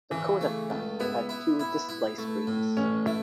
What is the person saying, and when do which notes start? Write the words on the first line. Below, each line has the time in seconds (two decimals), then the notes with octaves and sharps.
The Kodak back had two display screens.
0.11 C#3 E3
0.41 A3
0.70 C#2
1.00 B3 E4
1.29 E4
1.59 E4
1.89 E4
2.18 A3
2.47 A2
2.77 A1 C#4
3.07 A3 E4